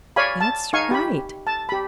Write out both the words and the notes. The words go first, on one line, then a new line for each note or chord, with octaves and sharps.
"That's right!"
C#5 D5 F5 G#5 B5
A5
D#4 F5 G#5 C#6
G4 B5
A5
G4 B5